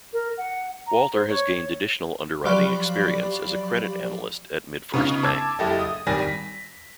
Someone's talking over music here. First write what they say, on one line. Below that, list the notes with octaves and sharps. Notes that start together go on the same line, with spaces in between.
Walter has gained additional underwriting experience as a credit analyst at MidFirst Bank.
A#4
F#5
A#5
C5
C#5
F3 F#3 G4 D5 F5 B5
C#3 B3 D#4 F4
A5 D6 E6 G#6 A6
F#1 E4 G4 A4 D#5
D#6
G#1 D#3 G3 G#5 A#6
B6